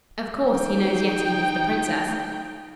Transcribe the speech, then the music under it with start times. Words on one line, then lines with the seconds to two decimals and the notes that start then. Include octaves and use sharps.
Of course, he knows Yetive is the princess.
0.53 D#4 G5